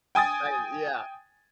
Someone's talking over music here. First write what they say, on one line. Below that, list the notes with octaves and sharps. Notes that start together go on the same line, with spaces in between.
Right, yeah.
G5 G#5 D#6 A6